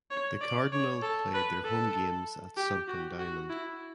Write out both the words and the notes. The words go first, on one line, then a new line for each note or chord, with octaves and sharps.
The Cardinal played their home games at Sunken Diamond.
C#5
D5
C#5
A4
B4
A4
G4
F#4
F#4
E4